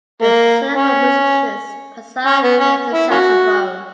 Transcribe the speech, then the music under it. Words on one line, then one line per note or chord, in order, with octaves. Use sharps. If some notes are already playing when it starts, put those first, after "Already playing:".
The son of musicians, Passard plays the saxophone.
A#3
C#4
C#4
B3
C#4
E4
A#3 C#4 F#4